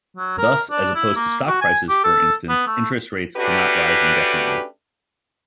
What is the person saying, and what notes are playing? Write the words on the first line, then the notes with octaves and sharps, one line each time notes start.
Thus, as opposed to stock prices for instance, interest rates cannot rise indefinitely.
F#3
A#4
D4
E4
A#3
F#4
G#5
G4
A4
B3
A3
A3 C#4 D4 F#4 G4 B4